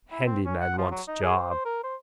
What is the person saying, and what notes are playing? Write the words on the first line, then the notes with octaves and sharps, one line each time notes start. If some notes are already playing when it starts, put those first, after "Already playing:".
Handy man wants job.
E4
C4
C#4
F#5
F3
F#3
D#4
G#4
C5
C5
A#4
C5